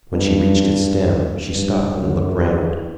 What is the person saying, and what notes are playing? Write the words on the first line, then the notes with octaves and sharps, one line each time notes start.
When she reached its stem, she stopped and looked round.
G2
G2
F#2
E2